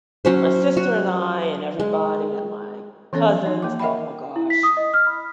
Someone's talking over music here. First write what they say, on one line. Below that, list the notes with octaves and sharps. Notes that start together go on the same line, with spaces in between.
my sister and I, and everybody, and my cousins oh my gosh,
F#3 C#4 C5
F#4
G#3
E3 B3 C#4 A4 C#5
F3
D#4 C#5
A#3 D6
A#4 D#5 E5 F#5 G5 B5
E4
B6
D#6
D#5
F6
B5